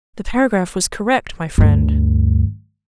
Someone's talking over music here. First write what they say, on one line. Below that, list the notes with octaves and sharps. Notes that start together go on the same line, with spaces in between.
"The paragraph was correct, my friend."
D2 G2